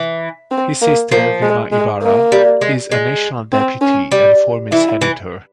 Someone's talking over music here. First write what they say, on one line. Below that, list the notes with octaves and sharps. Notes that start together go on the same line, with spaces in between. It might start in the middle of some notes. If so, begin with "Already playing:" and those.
His sister, Vilma Ibarra, is a National Deputy and former Senator.
Already playing: E3
C4
A#3
F3 A#3
G#3
G#3
A#3
G3
G#3
G#3
C4
C#4
G3
E3 E4
E3